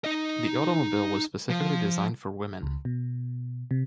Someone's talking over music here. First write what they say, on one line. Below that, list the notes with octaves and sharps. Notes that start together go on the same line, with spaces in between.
The automobile was specifically designed for women.
D#4 D#5
F3
C#2
B2
C3